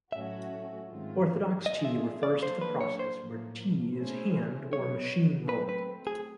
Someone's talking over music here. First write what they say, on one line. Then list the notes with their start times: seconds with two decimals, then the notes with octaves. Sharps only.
Orthodox tea refers to the process where tea is hand- or machine-rolled.
0.12 A2 F#3 A3 C#4 F#4 E5
0.89 G#2 D#3 G#3 C4 F4
1.66 A3 D4 F4 G#4 D#5
1.85 E5
2.23 D5
2.43 F#3 A#3 D4 C5
2.61 B4
2.81 C#5
2.99 C5
3.19 A2 F3 A#3
3.96 A3 C#4 E4 G#4 C5
4.72 F#3 B3 D#4 C#5
5.49 F#3 A3 C4 B4
5.69 B4
6.07 G#4